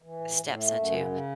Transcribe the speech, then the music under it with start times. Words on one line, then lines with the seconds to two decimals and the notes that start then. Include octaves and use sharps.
stepson too,
0.02 E3
0.20 A2
0.37 A2
0.56 A3
0.74 F#2
0.92 C#3
1.11 C#3